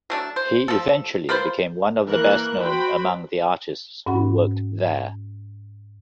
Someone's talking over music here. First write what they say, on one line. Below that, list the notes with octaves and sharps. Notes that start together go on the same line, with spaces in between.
He eventually became one of the best known among the artists who worked there.
F#3 A3 D4
C5
F3 A4
A#3 F4 B4 C5
E3 A#3 A#4 F#6
F#4 C5 G5 B5
G#2 C#4 F#4 F#5 B5